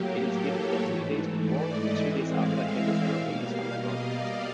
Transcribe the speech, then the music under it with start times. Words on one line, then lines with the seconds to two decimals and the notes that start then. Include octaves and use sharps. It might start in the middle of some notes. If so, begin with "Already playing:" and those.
It is given for three days before, and three days after chemotherapy is undergone.
Already playing: A2 F#3 A#3 G4
0.23 A4
0.52 C#5
0.81 G#2 E3 A3
1.39 D5
1.69 D#5
1.98 A2 E3 G#3 C4 E5
2.27 F5
2.56 E5
3.14 B2 G3 A#3 F5
3.72 D#5
4.02 D5